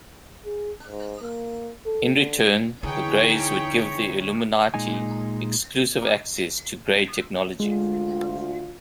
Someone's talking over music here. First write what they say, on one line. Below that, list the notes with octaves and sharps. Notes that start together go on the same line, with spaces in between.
In return the Greys would give the Illuminati exclusive access to Grey technology.
G#4
G#2
A#3
A4
D3
E2 D3 D#4 G#4 C#5 G5 B5 C#6
A#2 G#3 D#4 G#5
D2 G#3 F4